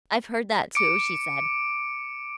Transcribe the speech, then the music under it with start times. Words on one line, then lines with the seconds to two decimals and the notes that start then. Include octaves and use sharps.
"I've heard that, too," she said.
0.75 D6 C#7 D7